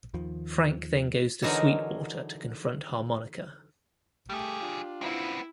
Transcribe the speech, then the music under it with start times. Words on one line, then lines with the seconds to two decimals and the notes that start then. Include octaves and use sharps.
Frank then goes to Sweetwater to confront Harmonica.
0.14 D#2 D#3 F3
1.42 D3 E3 F#3 D#4 G#4 A#4
4.30 G3 A3 G4 G#4
4.61 D4 F4
5.01 B3 C4 E4